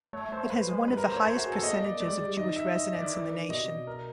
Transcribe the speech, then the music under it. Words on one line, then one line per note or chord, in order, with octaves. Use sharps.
It has one of the highest percentages of Jewish residents in the nation.
A3 C#5
A3 C5
A#3
A3 B4
G#3
G3 B4
G#3 A#4
C5
A#3 C#5
A3 C5
F#4
G#4
A4
A#3 D#5
D5
A3 D5
G3
G#3
D5
G3
D#3 D#5
E5
D#5
D5
D#3
E3
D#3
B2 D#5
C3
B2
A#4